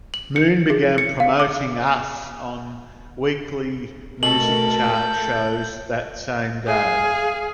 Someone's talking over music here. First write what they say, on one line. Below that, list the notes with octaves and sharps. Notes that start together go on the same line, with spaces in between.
Moon began promoting "Us" on weekly music chart shows that same day.
F#7
C#7
G#4
C#7
F5
D6
B2 A3 A4 A#4 F#7
G6
G#4 F5